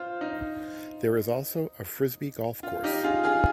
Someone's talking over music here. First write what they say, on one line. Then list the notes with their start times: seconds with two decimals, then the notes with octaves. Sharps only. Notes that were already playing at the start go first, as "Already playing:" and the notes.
There is also a Frisbee golf course.
Already playing: F4 C5
0.21 D#4
2.63 F4
2.84 D#4 G4
3.03 F4 G#4
3.24 F4 G#4